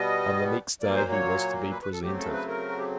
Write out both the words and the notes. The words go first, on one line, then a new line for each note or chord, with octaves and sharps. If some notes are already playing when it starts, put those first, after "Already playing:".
On the next day, he was to be presented.
Already playing: B2 G3 B3 D#5
A#2 F#3 A#3 D5
C5
C#5
B4
B4
A4
C#3 F#3 A3 C4 G4
A4
B4
A#4
F#4
G4